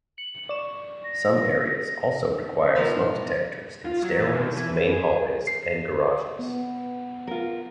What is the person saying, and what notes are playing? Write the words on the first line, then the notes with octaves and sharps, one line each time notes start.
Some areas also require smoke detectors in stairways, main hallways and garages.
C#7 F#7
D5 C#6 E7
A#6
B1 F3 F4 A#4 B4 E5
F4
F#3
E3
D#2
E3
B4
G#4
C7
B3
F4 A#4